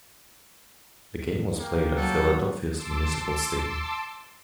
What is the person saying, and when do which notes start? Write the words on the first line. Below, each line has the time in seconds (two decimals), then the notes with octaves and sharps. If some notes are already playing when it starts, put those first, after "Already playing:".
The game was played at Philadelphia's Municipal Stadium.
1.60 A#3 G5
1.97 F#3 A4
2.75 A5 C6 D6 E6